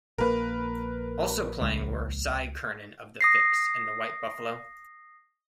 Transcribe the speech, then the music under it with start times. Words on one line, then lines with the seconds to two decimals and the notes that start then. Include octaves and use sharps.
Also playing were Cy Curnin of The Fixx, and The White Buffalo.
0.18 A#1 A#3 A#4 B4
1.61 C#2 G#3
3.21 D#6 A#6 C7